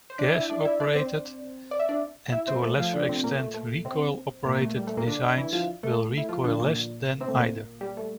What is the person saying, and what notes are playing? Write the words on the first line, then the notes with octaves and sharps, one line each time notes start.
Gas-operated, and to a lesser extent recoil-operated, designs will recoil less than either.
C5
D4 D5
E4 E5
D4 D5
E4 E5
D4 D5
C4 C5
D5
E5
D4 D5
E4 E5
C4 C5
A#4
A3 A4
F3 F4
D3 D4
C3 C4
A#2 A#3
A3
A3
C3 C4
A#2 A#3
A3
G3
A3
A#2 A#3
D3 D4
E3 E4
F3 F4
A3 A4
E4
F3 F4
D3 D4
A#2 A#3
C3 C4
A3
A#2 A#3
G3
A3